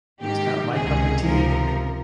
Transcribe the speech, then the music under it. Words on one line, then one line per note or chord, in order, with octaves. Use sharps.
It's not my cup of tea
G#2 D#3 G4
C#2 C3 D#3 G#4
C#2 C3 F3 A#4